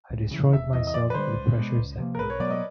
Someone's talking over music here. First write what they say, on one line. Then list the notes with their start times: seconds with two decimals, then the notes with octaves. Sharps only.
I destroyed myself with the pressures I'd built up.
0.10 C#2
0.31 C#3 E3
0.53 E1 E5
0.73 E2 C3 E3 D#5
0.87 D#5
0.94 F2 D5
1.10 B4
1.14 D3 G3 C5
1.36 C#2
1.57 B2 G#3
1.78 C#2
1.98 C3 F3 A#3
2.15 A#4
2.19 B1 B4
2.30 C#5
2.40 B2 F#3 B3 D5
2.50 D#5